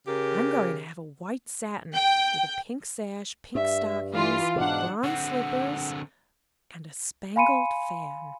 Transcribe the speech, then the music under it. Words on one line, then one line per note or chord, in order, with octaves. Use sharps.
"I'm going to have a white satin with a pink sash, pink stockings, bronze slippers, and a spangled fan."
C#3 G4 A#4
G5
G2 E5
E3 F4 F5
G#2 B2 D4 F#5
D3 C4 F#5
F5 G#5 B5 C6 C#7 D#7